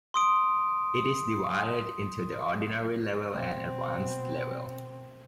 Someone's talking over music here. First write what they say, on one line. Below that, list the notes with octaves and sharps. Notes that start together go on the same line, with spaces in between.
It is divided into the Ordinary level and Advanced level.
C6 D#6 D7
B2 C4